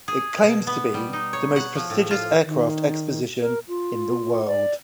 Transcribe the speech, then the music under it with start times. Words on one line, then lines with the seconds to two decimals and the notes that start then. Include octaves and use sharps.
It claims to be the most prestigious aircraft exposition in the world.
0.08 G#4
0.43 B2
0.67 B3
0.94 G3
1.13 D#4
1.33 C#5
1.56 F#5
1.75 F3
1.90 A2
2.11 F4
2.45 D#3
3.40 A#4
3.68 F4
4.46 D5